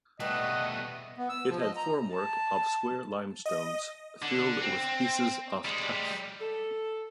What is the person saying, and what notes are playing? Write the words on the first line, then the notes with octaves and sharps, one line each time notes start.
It had formwork of square limestones filled with pieces of tuff.
B2 G3 A3 B3 D#5 F#6
B3
E6
F3
D#5
A#5
A5
D#5
D3
C4
G3 G#3
A4